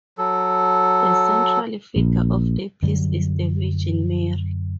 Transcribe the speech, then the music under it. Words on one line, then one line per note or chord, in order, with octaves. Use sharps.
The central figure of the piece is the Virgin Mary.
F#3 A4
A#1
F#2 D3 F#3 G3